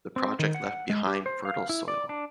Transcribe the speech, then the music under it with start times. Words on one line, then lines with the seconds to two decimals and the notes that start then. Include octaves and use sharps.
The project left behind fertile soil.
0.16 C4
0.39 D#3
0.54 F#5
0.90 G#3
1.07 G4
1.26 C5
1.45 F5
1.69 E4
1.88 D5
2.09 D4